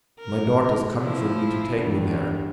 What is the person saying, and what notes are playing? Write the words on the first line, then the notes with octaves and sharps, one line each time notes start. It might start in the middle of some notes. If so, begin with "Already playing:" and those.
"My daughter is coming for me to take me there."
A#4
F3 E4
E2 G2